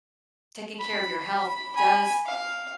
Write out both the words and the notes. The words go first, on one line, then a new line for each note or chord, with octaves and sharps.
taking care of your health does
B5
G#5 B5
F5